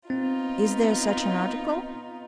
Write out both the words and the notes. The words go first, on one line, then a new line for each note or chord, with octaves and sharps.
Is there such an article?
B3 C4 D#4 F4